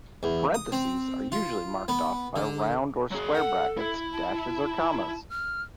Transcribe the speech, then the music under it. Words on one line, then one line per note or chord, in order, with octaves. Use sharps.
Parentheses are usually marked off by round or square brackets, dashes, or commas.
E2
D#6
C4
F4
B3
D3
F#3 G#4
A4 F#5
E4
A5
F6